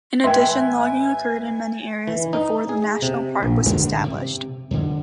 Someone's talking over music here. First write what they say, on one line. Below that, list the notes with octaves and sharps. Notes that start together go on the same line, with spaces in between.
In addition logging occurred in many areas before the national park was established.
A1 B4 E5 G5 G#5 C6 G#6
E3
D#4
G#4
C3
A#1
G2 D3 D#3 G#3
C3
F2 D3